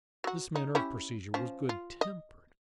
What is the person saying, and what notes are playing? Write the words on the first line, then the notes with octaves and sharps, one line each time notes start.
This manner of procedure was good-tempered.
F#3 F#4
D#4
C#4 E4 G4
F3 C#4
F4
D#5